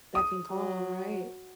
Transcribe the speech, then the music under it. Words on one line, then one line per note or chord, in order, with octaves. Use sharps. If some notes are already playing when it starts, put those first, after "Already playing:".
Beck and call, right.
D#6
F#3